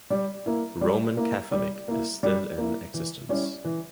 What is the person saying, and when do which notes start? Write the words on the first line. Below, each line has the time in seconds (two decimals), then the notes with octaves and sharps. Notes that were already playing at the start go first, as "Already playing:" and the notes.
Roman Catholic is still in existence.
0.10 G3
0.46 A#3 E4
0.81 G3
1.17 A#3 E4
1.52 G3
1.88 A#3 E4
2.23 G3
2.58 A#3 E4
2.94 E3
3.29 G3 C#4 E4
3.64 E3